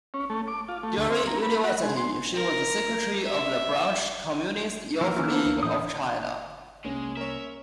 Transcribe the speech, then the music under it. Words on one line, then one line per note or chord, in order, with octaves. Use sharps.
During university, she was secretary of the branch Communist Youth League of China.
C#4
A3
D6
F4
A3
D2
C4
A#4
B5
F#4
G#3
C6
A#4
E5
E3 F3 A#3 A#4
D#3 C#4 F4
B3 C5 A5
D2
A2 E3 C5 D#6
C2 G#3 A#3 C#4
A#4 C#5 E5